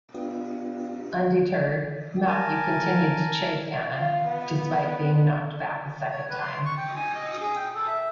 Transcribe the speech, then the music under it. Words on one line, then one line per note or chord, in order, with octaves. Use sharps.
Undeterred, Matthew continued to chase Anna despite being knocked back a second time.
B3 D4 F4 G4
A#4 G#5 A5
F4
B3
C#5
B4
C6
C#6
G5
G#5
D#5
G#4
G5
A4
E5